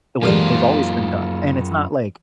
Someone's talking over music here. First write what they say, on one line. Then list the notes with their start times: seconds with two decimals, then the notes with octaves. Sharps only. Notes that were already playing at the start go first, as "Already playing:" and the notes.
the way that they've always been done?" And it's not like,
0.23 F#2 E3 G#3 A#3 D#4 F4 G4 A4